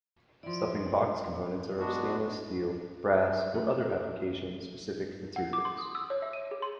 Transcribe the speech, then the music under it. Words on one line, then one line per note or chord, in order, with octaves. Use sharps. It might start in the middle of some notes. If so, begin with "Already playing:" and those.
Stuffing box components are of stainless steel, brass or other application-specific materials.
F3 E4 D5 C6
A2
G#3 B3 D4 F#4
A3
F#5
D6
C6
D#6
E6
C#5
E5
D#7
G#4
C6